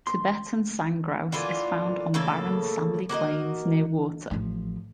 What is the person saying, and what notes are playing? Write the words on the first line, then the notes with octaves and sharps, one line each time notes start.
Tibetan sandgrouse is found on barren sandy plains near water.
C6
D3 E3 A#3 F4
A2 C#3 A#3 A4
A#3 F#4 A#4 D#5
A1 F3